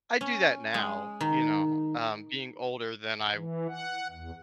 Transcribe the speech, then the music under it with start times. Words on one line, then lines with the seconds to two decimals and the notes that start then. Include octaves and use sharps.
I do that now, you know, um, being older than I
0.21 C#4
0.74 G#3
1.21 D#3
3.34 E3
3.68 F#5
4.11 E2